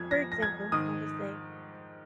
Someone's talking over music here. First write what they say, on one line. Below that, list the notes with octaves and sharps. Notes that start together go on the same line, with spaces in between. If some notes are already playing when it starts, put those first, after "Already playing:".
for example, I'll just say,
Already playing: F2 F3 G#6
A#6
A#6
G#6
G#2 D#3 D#6